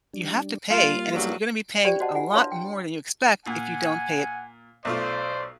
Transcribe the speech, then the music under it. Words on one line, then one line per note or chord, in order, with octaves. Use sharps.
you have to pay, and it's lee you're gonna be paying a lot more than you expect if you don't pay it
G3 D4
G3 A#3 F4 F5 E7
E2 G2 F#3
G4 C5 D5 G5 B5
F#4 C5 D#5 F#5 A5
E4 F4 F#5 G#5
D4 B4 C#5 F5 A5 C6
G5
A#2 F#5 G#5
B1 A3 F4 C5 D5